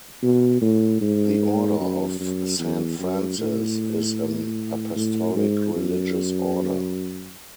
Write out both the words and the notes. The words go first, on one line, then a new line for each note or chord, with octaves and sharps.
The Order of Saint Francis is an Apostolic religious order.
B2
A2
G#2
F#2
F#2
E2
F#2
A2
A2
G#2
F#2